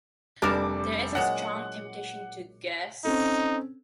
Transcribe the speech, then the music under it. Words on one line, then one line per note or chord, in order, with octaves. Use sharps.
There is a strong temptation to "guess".
F1 G3 D4 A#4 A5 D6
A#2 F#3 G#3 F#5
C4 C#4 D#4 A4